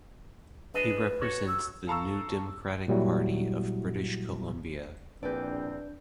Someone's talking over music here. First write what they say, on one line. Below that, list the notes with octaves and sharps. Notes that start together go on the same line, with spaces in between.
He represents the New Democratic Party of British Columbia.
D4 G#4 B4 D#5
F#4 A4 C#5
E6
A4 F5 A5 A#5 C#6 E6
A#2 F#3 G3 E4 F#4
A#1 E2 C4 D4 B4 D5 G6